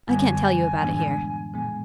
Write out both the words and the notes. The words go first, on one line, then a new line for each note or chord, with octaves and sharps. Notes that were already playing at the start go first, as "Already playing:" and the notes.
I can't tell you about it here.'
F#2 D3 G3 B3 G#5
A2 E3 G#3 B3 D4
A#2 F3 G#3 B3 G#5